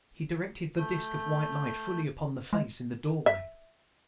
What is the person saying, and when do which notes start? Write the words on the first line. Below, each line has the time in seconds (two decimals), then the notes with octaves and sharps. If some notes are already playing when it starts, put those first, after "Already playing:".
He directed the disk of white light fully upon the face in the doorway.
0.77 A3 G6
2.53 G#3
3.26 E5